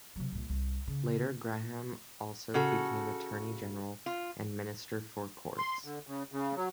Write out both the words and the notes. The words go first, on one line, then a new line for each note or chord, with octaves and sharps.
Later, Graham also became Attorney General and Minister for Courts.
C3 F#3
C2 A#2
C2
C#3
C#3 F#4 A4
F4
C6
D3
C#3
C#3
F#3